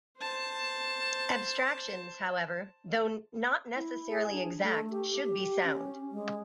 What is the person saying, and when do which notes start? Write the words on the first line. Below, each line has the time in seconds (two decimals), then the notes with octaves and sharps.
Abstractions, however, though not necessarily exact, should be sound.
0.18 C5 A5
3.76 E4
4.09 G#4
4.32 D4
4.62 A3
4.91 G4
5.22 G4
5.64 C#4
6.12 G#3